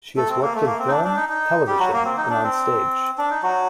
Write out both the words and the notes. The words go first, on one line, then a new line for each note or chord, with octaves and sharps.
She has worked in film, television and on stage.
A3 A4
C4
A#3
A3
A#3
C4
D#4
D4
D4
D#4
D#4
G3 G4
F#3 F#4
A#3
C4
D#4
D4
C4
D4
D#4
F#3 F#4